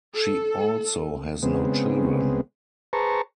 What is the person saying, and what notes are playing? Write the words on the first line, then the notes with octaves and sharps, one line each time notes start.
She also has no children.
A4
C#3 G#3 B3 C4
G#4 B4 C5 A5 A#5 C#6